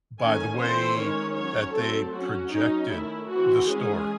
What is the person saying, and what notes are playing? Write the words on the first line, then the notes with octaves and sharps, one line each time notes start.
by the way that they projected the story.
D#3 A3 C#4 G#5
E3 A3 C4 C5
D#3 G#3 C#4 C#5
F#3 C#4 C#5
F#3 A3 C4 A4
F#3 C#4 F#4
F#3 C#4 D#4
D#3 A3 C#4 E4
E3 C4 F#4
E3 G#3 C#4 G#4